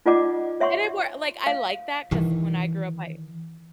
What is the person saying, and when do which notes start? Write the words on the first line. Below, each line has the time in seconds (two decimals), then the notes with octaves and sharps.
and it worked like, I like that 'cause when I grew up I
0.06 D#4 F4 D5 D#5 F#5 D6
0.60 C#5 E5 F#5 C6 C#6
1.46 F5
2.11 D#3 E3